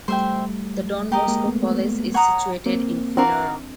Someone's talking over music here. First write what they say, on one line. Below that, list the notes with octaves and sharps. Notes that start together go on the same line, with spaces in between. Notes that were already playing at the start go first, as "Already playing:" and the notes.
The Don Bosco College is situated in Fuiloro.
G3 A3 C5 E5 G5
G#3 A#3 G4 A#4 D#5
G#3 A#3
A3 B3
A3 B3
C#5 F#5 A#5 D#6
A#3 C4
C4 D4 F#4 A#4 D5 F5